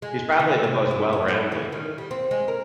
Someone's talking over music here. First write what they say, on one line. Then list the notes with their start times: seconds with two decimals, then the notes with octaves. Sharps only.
He's probably the most well-rounded
0.02 G#3
0.39 D3
0.64 C3
0.91 E4
1.13 A2
1.28 E4
1.52 E3
1.72 D#3
1.98 G3
2.11 C4
2.31 G#3
2.48 A#4